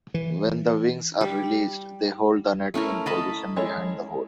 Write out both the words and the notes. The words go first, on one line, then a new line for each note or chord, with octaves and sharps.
When the wings are released, they hold the nut in position behind the hole.
E3
G3
A3 C#4 E4 A#4
D#5 A5 B5
G#3 C#4 E4 A4 C#5